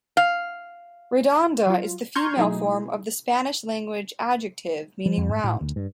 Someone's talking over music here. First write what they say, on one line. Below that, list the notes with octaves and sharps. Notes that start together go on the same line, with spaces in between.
"Redonda" is the female form of the Spanish language adjective meaning "round".
F5
F#3 F4
A#5 C6 C#6 F6 G6 G#6
B2 F#3 A3 D#4 E4 G#4
F3
F2
G#2
A2
D2
G2